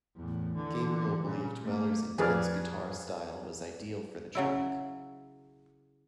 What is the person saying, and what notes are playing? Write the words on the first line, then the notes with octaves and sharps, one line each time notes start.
Gabriel believed Weller's intense guitar style was ideal for the track.
E2 A2
D3 E3
A#2 C#3
A3 A#3
F2 G#4 B4 D5 F6
C#3 F#3 E4